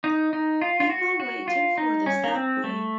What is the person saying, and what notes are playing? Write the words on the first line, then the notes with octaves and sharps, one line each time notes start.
People waiting for the subway.
D#4
D#4
F4
F4
F#4
F#4
F4
D#4
C#4
A#3
C4
A3